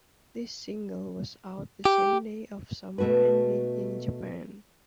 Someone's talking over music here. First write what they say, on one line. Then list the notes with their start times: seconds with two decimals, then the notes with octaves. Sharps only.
This single was out the same day of summer ending in Japan.
1.85 G4
2.98 B2 A3 F#4 A4 B4